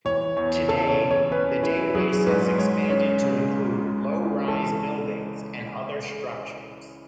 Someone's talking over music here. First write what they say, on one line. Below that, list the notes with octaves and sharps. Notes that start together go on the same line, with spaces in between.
Today, the database has expanded to include low-rise buildings and other structures.
E3 C#5
E2 C#5
C#3 A4
C#5
E2
C#5
C#4 B4
E4 B4
F#3 G#4
G#2 B4
G#3 C#5
C#4 C#5
C#3
C#2
G#3
C#4
E3 A4